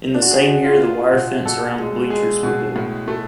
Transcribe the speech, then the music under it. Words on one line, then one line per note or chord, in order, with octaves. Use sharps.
In the same year the wire fence around the bleachers were built.
D4
F#4
G#4
D4 F#4
F4
B3 F4
B2
B2 A4
G#3
G#3 G#4
B2
A2
A3